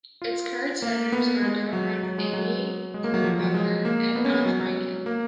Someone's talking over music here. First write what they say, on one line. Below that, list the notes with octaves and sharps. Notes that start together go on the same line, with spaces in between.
Its current Senators are Democrats Amy Klobuchar and Al Franken.
F4
A#3
B3
G#3
F#3
F#3
G#3
F#3
G#3
A#3
F#3
F3
F#3
G#3
A#3
B3
C#4
B3
F#3
F#3
A#3